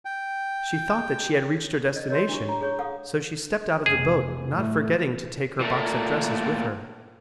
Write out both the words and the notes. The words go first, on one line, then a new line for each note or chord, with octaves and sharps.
She thought that she had reached her destination, so she stepped out of the boat not forgetting to take her box of dresses with her.
G5
D#5
F#4 G4 A#4 C#5 D#5
D4 E4 C#6
A#5
G#4 C#5 C#6
A4 F5 F#5 D#6
F1 G#4
A2 A3
A#2 A3